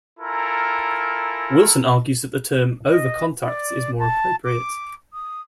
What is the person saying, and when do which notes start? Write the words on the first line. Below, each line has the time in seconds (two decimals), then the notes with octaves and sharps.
Wilson argues that the term "overcontact" is more appropriate.
0.20 E4 F4 A4 A#4 G#5 A#5
2.89 D#5
3.43 D5
3.99 A5
4.44 D6
5.13 D#6